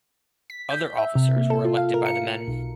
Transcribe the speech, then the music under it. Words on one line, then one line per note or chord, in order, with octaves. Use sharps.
Other officers were elected by the men.
B6
G6
E5
C3
A#3
A4
F4
F5
A#4
C#7
B1